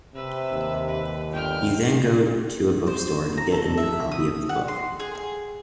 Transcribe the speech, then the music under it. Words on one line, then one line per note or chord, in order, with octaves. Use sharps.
You then go to a bookstore to get a new copy of the book.
C3 B4 E6
D#2
B4
G1 G5 F6
C5
A#5
A4
E5
D#6
F#5
C6
G#4
G#4